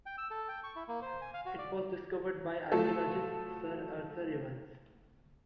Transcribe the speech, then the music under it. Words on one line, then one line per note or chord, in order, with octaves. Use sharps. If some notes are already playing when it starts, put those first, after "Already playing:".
It was discovered by archaeologist Sir Arthur Evans.
G5
E6
A4
G5
C#6
E4
A#3
C5
G#5
F5
F#4
D5
F3 F#3 A3 F4 A4